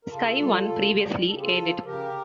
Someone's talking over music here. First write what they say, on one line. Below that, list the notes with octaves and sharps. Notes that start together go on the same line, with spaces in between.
Sky One previously aired it.
A#4
C#3 F4 A4
G3
C#3
G3
C#3 A4
G4
F4 A4
F3
C#3 G4 A#4